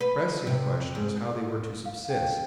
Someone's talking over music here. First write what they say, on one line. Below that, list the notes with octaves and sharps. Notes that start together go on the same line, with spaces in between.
The pressing question was how they were to subsist.
B4
C3
G#2
F5
G5